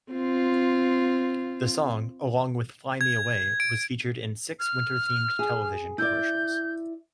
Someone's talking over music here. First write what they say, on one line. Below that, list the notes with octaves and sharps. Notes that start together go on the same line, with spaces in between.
The song, along with "Fly Me Away", was featured in six winter-themed television commercials.
C4 F4
G#6
D7
F6
G#4
E4 D5 G6